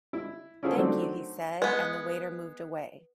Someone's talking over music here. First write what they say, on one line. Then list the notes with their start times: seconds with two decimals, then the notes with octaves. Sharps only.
"Thank you," he said, and the waiter moved away.
0.13 E4
0.63 C#4 E4 F4 G#4 A4 C5
0.76 D#3 F#3 A3 C4 D4 F#4
1.62 G#3 B3 B4